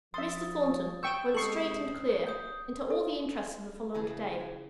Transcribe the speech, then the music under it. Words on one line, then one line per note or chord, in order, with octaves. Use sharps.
Mr. Thornton went straight and clear into all the interests of the following day.
F3 E5 C6 D#6 A6
G5 C#6 E6 G6 E7
C3 G#3 A4 C#6 D#6 C7 F#7
G#2
D#6 G6
A4
C#3 E3 G#4